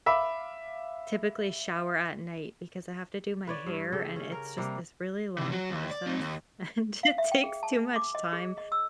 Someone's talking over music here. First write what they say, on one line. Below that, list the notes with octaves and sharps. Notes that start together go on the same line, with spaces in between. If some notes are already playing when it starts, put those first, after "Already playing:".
typically shower at night because I have to do my hair, and it's just this really long process, and it takes too much time,
E5 F5 B5 D6
B4 C#5 D5
G2
C#3 G4 A4
C#4
A#4
C3 G3 A#3
C3 D#3
F#3 F#4
D#2
D5
C4 D#4
D#2
F5
E5
G5
G#4
A5
D6
D#5
G#4
D#5
E6